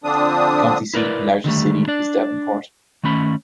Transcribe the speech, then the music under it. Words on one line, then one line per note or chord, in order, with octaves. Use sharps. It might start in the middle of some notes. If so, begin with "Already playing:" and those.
The county seat and largest city is Davenport.
D3 F3 C4 D4 D#6
E4 A#4 B4 D5
D3 D#3 G3 A3
D4 D5
D#3 A3 C#4 B5